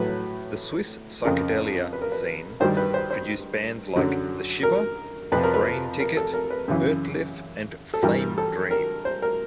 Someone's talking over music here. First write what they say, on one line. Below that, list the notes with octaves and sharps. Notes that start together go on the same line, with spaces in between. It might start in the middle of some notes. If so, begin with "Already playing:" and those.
The Swiss psychedelia scene produced bands like The Shiver, Brainticket, Ertlif and Flame Dream.
Already playing: A2 F#3 B4
F2 C#3 F3 A#4
B4
A#4
B4
G2 D#3 G3 C5
B4
C5
C5
F#2 D3 F#3
A#4
F2 C3 F3 B4
A#4
B4
A#4
A4
A#4
B4
F#2 C#3 E3
A4
G2 E3 G3 A#4
A4
A#4
C5
A#4